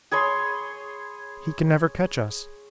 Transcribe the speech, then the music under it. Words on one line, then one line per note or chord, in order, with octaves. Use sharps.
He can never catch us.
G#4 C#5 B5 C6